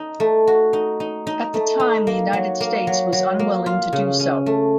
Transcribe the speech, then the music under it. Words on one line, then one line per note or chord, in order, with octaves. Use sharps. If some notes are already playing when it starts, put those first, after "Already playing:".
At the time the United States was unwilling to do so.
Already playing: D#4
A3
F#4
D#4
D#4
D#4
A3
D#4
A#3
F#3
A#3
F#3
F#3
A#3
F4
C#3
C#4
A3